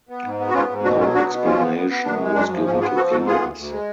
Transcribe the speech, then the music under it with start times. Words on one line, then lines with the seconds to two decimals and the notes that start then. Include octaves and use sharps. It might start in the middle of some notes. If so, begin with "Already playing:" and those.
No explanation was given to viewers.
0.09 B3
0.24 G#2
0.40 B3
0.49 F#4
0.54 G#2 C#4 F4
0.69 G#2
0.84 B2 D4 F#4
0.99 F#3 C#4 F4
1.15 B3 D4 F#4
1.30 B2
1.45 F3 C#4 F4
1.60 B3
1.75 B3
1.90 B3
2.05 F#2 D4
2.21 G#3
2.35 F#2 D4
2.51 F3
2.66 G#2 C#4
2.81 B3 F4 G#4
2.96 F3 F#4 A4
3.11 G#2 F#4 A4
3.26 B3 F4 G#4
3.42 D2
3.57 D2
3.71 G#3